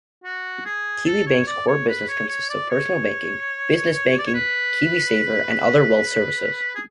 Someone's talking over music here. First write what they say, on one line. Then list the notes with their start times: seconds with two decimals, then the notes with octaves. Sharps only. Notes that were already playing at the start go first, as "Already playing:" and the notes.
Kiwibank's core business consists of personal banking, business banking, KiwiSaver and other wealth services.
0.24 F#4
0.65 G#4
1.06 A4
1.27 C#5
1.47 D5
1.67 C#5
1.88 B4
2.08 C#5
2.29 C#5
2.49 D5
2.70 C#5
4.18 D5
4.26 C#5
4.34 B4
6.75 G#4